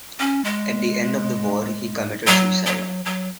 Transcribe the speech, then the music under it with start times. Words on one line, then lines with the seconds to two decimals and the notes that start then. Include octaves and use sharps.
At the end of the war, he committed suicide.
0.19 C#4
0.44 G#3
2.27 F#3
2.66 F#3
3.05 F#3